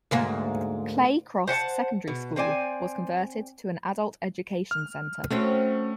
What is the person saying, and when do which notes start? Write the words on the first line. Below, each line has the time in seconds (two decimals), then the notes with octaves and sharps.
Clay Cross Secondary School was converted to an adult education centre.
0.11 D2 G#2 A#3
1.48 C5 F#5 G5 A5
2.08 B2
2.36 C4 C5 D5 G#5
4.71 F6
5.30 A3 C4 C#4 F#4